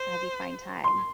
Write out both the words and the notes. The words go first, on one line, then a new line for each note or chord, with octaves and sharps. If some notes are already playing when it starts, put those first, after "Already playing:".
as you find time.
Already playing: C5
C6